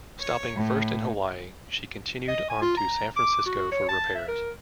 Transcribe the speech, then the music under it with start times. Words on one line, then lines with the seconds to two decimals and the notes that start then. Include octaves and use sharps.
Stopping first in Hawaii, she continued on to San Francisco for repairs.
0.20 C#5
0.57 A2
2.28 D#5
2.50 G#5
2.61 F4
2.77 A#5
3.16 D6
3.46 F#4
3.72 C#5
3.89 A5
4.15 E5
4.28 A#4